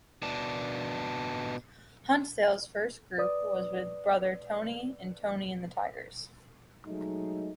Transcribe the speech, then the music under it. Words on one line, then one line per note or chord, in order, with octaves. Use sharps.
Hunt Sales' first group was with brother Tony in Tony and the Tigers.
B2 D4
B4 D5 D#6
F#3 G#3 A3 D#4